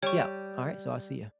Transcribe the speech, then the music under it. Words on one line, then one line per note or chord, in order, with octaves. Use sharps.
Yep, alright, so I'll see ya,
G3 C#5 C#6